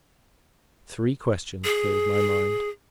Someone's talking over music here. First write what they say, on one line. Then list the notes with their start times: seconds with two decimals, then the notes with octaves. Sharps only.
Three questions filled my mind.
1.64 G#4